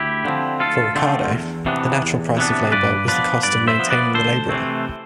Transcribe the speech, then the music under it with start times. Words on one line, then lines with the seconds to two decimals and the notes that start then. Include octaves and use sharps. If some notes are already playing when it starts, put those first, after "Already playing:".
For Ricardo, the natural price of labor was the cost of maintaining the laborer.
Already playing: D2 E4 G4
0.24 D3 F3 A3 C4
0.60 D2 F4 A4
0.95 D3 F3 A3 C4
1.31 E2
1.66 C3 E3 B3 D4
2.03 E2
2.37 C3 E3 B3 D4
2.72 G2 B4 D5
3.08 F3 B3 B4 D5
3.43 G2 B4 D5
3.67 C5 E5
3.79 F3 B3
3.90 B4 D5
4.14 D2 A4 C5
4.49 C3 E3 A3 C4